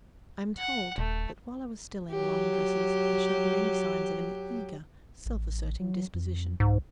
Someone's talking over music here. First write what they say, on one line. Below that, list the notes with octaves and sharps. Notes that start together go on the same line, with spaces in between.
I am told that while I was still in long dresses I showed many signs of an eager, self-asserting disposition.
F#5
D#1 A3
F#3 G4
A1
F#3
F2
C2 G#2